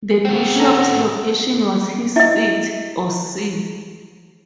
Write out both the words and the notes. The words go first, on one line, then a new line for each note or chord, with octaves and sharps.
The bishop's location was his "seat", or "see".
C4 F#4
C#4 A4 A#5
E4 D#5 E5